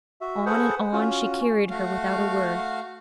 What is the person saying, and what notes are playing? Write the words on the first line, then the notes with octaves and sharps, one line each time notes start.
On and on she carried her without a word.
F#4 E5
G#4 A4 B4 C5 F#5
C#4 F4 F#4
A3 F#4 F5